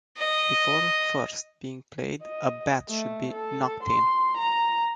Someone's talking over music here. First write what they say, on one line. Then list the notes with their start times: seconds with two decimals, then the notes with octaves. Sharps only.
Before first being played, a bat should be "knocked in".
0.18 D#5
2.23 D#5
2.89 A3
3.32 A4
3.83 C6
4.37 A#5